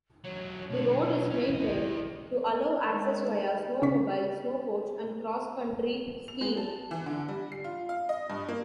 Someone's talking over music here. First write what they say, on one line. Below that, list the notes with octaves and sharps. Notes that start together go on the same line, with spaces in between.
The road is maintained to allow access via snowmobile, snow coach, and cross-country skiing.
E2 F#3 C#5
B1 D3
G3 C#4 E4
F3 D#5
D#3 G#3
C#3 C#4 C#6 B6
F7
G#3
A5
E3
D3
G3
C7
F4
F5
D#5
G2
A#3